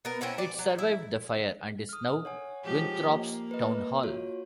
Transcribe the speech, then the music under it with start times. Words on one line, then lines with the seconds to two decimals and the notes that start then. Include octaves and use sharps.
It survived the fire and is now Winthrop's Town Hall.
0.05 B3 A#4
0.21 C4 C#4 E4 F#5
0.38 D5
0.59 F#3
0.79 E4
1.89 D#6 F6
2.25 C#5 F#5 G#5
2.65 F3 G#3 G4
3.05 A#3
3.51 B4 D#5
4.03 F4 F#4 C#5